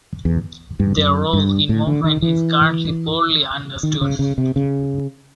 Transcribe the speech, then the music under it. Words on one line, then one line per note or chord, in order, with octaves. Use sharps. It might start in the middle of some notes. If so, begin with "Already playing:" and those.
Their role in movement is currently poorly understood.
E2
G2
F#2
G2
A2
D3
D#3
E3
D#3
C#3
C#3
C3
C#3